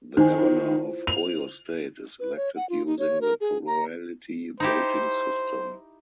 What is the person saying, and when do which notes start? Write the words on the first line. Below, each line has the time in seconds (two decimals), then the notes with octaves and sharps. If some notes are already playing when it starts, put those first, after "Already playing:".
The Governor of Oyo State is elected using the plurality voting system.
0.17 D#3 E4 C5 G#5
0.37 E4 F4 C5
1.07 F7
2.20 B4
2.37 C#5
2.56 F#5
2.69 F4
2.86 D#4
2.99 C#5
3.21 A#4
3.41 G#4
3.66 A#5
4.60 D#4 E4 G4 C5